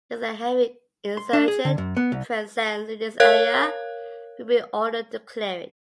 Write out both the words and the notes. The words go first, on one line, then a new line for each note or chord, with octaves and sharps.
There's a heavy insurgent presence in this area, we've been ordered to clear it.
C6
D4
G#4
D3
F#2
B3
C2
A#4 C#5 F5 F#6 G#6